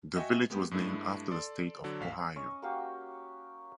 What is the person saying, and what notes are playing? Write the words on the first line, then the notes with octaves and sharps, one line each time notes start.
The village was named after the state of Ohio.
F#4 D#5 E5 G5 G#5 C#6
G#3 A#3 B3 G4
G2 G#3 A3 D4 E4
A4 D5 C6
D3 F#3 F#4 A4 D5
A1 F5 B6
C#4 D#5 C#6
A#3 F#4 G4 F5